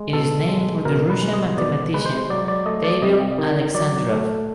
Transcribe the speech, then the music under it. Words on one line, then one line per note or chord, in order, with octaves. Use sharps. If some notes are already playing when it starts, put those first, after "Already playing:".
It is named for the Russian mathematician Pavel Alexandrov.
Already playing: G#3
B2 A4
G#3
B2 A#4
B4
G#3
D#5
B2 D5
G#3 B4
C5
F#3 D5
D5
A3 D#5
D5
C3 D#5
D#3
F#3 D5
A3